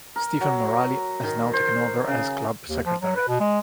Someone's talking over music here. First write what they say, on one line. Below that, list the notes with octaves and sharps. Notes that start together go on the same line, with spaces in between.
Stephen Moralee has now taken over as club secretary.
A#4
F#3
D#3
C5
C#3
D#2
F3
F#3
B4
B2
G#3